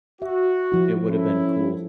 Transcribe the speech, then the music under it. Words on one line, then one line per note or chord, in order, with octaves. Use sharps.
It would have been cool.
F#4 E5
F3 E4
C#4 E4 A4